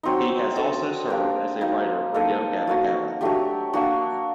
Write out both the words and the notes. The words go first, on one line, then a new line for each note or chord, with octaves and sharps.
He has also served as a writer for Yo Gabba Gabba!
F#3 C4 D#4
D4 A4 D#5
A#3 D4 G4 A#4
A#3 D#4 F#4
A#3 D#4 A4 D#5
F#3 A#3 F#4
F#3 A3 D4 G4
A#3 D4 F#4